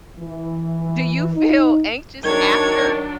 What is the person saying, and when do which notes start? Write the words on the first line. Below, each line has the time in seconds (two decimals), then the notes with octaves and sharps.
do you feel anxious after?
0.19 E3
1.35 D#4
2.25 D#3 F#3 D4 C#5 G#6